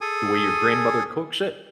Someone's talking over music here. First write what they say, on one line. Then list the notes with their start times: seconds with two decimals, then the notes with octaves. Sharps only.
the way your grandmother cooks it?
0.01 G#4 A4 G#5 D#6